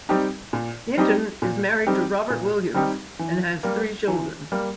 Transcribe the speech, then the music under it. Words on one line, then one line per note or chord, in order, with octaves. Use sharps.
Hinton is married to Robert Williams and has three children.
G3 C4 D#4 G4
A#2
G3 C4 D#4 G4
A#2
G3 C4 D#4 G4
A#2
G3 C4 D#4 G4
E3
G3 A#3
E3
G3 A#3